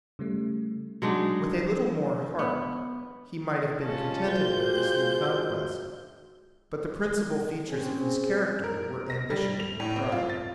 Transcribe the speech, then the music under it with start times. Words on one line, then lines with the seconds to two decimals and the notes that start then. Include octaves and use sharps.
With a little more heart, he might have been contented with this new conquest; but the principal features of his character were ambition and pride.
0.19 C#3 G3 A3
1.02 F#3 G#3 D4 D#4
2.39 B3
3.81 G#3 C#4 F4 G4 A5
4.28 F#4 C5 G6
7.70 C4 C#4 G#4
8.64 A#4
9.10 A#6
9.30 G3
9.60 F7
9.80 A2
9.96 C4
10.12 F4
10.30 A6